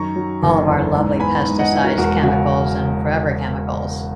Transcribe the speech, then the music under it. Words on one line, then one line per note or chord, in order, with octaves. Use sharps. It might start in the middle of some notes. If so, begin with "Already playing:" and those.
all of our lovely pesticides, chemicals, and forever chemicals.
Already playing: F#2 D#3 A#5 C#6
F#3
F#1
E2
G#2
B3 G#5 B5
G#2
D#5 F#5
E4
F#4 A#4
E1 F#4 A#4
C#3 F#4